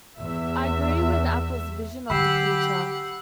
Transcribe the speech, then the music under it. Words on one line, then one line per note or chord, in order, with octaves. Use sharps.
I agree with Apple's vision of the future.
E2 E5
D3 F#3 G4 F#5 B5 E6 C7